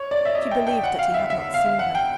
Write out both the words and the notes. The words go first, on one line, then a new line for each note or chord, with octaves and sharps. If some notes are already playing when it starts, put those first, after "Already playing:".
She believed that he had not seen her.
Already playing: C#5
D5
E5
D#5
G5
G5
F#5
F5
E5
E5
F5
F#5
G5